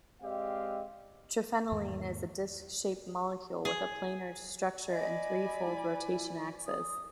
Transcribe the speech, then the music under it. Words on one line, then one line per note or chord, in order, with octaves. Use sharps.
Triphenylene is a disc-shaped molecule with a planar structure and three-fold rotation axes.
G#3 C4 G4 D5 D#5 F5
E2 G#2 D#3 A#3
G#4
D5 D#5 G#5 B5
E4
D#6